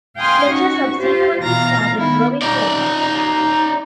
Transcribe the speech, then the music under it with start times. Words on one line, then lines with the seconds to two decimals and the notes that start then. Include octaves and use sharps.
Fletcher subsequently started drawing Torkan.
0.16 F5 G5 G#5 C6 D#6 F6
0.49 C#4 D#4 F#4 C#6
0.97 F4 G4 C5
1.42 B2 E3 F4 F5 A#5 A#6
1.95 D#3 B3 E4
2.42 D#4 D5